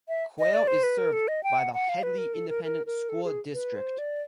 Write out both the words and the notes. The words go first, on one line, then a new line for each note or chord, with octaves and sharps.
Quail is served by the Hedley Independent School District.
E5
D#5
D5
C5
B4
A#4
A4
D#5
G5
F#5
F#5
F5
B4
A#4
A4
A#4
A#4
A#4
A4
G#4
B4
C5
D5